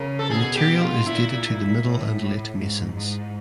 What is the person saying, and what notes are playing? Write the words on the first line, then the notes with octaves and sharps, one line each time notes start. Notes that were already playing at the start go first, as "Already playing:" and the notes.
The material is dated to the Middle and Late Masons.
Already playing: C#3 A#4
A4
B2 G#4
G4
F4
A#2 E4
A2
A2
G#2
G#2